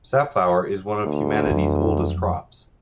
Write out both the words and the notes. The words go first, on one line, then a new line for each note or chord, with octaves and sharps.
Safflower is one of humanity's oldest crops.
D2
F2 F#3 A3